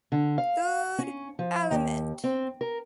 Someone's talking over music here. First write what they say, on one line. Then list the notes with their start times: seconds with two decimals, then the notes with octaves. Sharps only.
Third element.
0.12 D3
0.38 F5
0.99 C#4
1.39 F3
1.71 D#2
2.24 C4
2.61 A#4